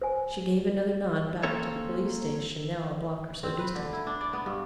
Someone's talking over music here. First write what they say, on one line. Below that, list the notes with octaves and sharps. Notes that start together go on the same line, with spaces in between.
She gave another nod back to the police station now a block or so distant.
C5 G#5
A#3 C4 C#4 A4 C#5
C4
B4
D3
E4
D4
D5
B3
G2